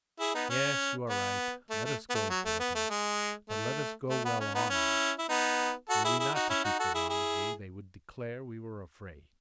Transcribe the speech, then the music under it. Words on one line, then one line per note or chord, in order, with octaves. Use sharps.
Yes, you are right; let us go, Porthos, but let us go well armed; were we not to keep the rendezvous, they would declare we were afraid.
E4 G#4
B3 D#4
C#4
B3
A3
A3
B3
A3
F#3
A3
B3
A3
G#3
A3
A3
B3
C#4
B3 D#4
C#4 E4
E4
B3 D#4
F#4 A4
E4 G#4
E4 G#4
D#4 F#4
C#4 E4
D#4 F#4
F#4 A4
E4 G#4
E4 G#4